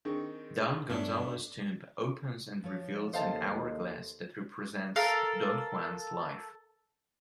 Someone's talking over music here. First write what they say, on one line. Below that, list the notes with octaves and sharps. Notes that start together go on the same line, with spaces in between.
Don Gonzalo's tomb opens and reveals an hourglass that represents Don Juan's life.
D#3 C4 D4 G#4 C#6
G2 A3 B3 C#4 D4
F3 C#5
D#2 A4 C5 D#5 F5 A5
A4 A#4 F5 A#5